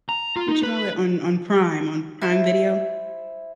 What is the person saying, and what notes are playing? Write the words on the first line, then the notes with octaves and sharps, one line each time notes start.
what you call it? On on Prime on Prime Video.
A#5
F4
D#4
B4
E4 C5